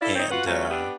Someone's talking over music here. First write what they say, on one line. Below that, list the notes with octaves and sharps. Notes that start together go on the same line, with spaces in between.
and, uh
E4 A4 D5 F5
C4 D#4 C#5
F4 F#4 B4 F#5
F#3 A3 C#4 F4
B3 D4 G4